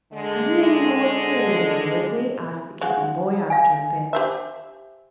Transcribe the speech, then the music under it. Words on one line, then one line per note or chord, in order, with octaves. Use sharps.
"Have you any more string, Uncle Wiggily?" asked the kitten boy, after a bit.
D3 G#3
C#3 G#3 F#5
F5 G#5
G4 C5 E5